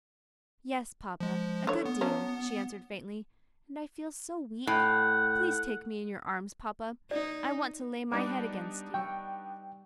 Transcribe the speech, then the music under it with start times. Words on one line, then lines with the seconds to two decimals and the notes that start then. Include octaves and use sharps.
"Yes, papa, a good deal," she answered faintly; "and I feel so weak. Please take me in your arms, papa, I want to lay my head against you."
1.20 F3 G#3
1.67 D3 C#5
1.86 B3
2.01 F#3 C#4 D4
4.67 A2 F#5
7.11 D#4 D5
8.12 G3 B3 D4 D#4 D6
8.94 G5 C#6 E6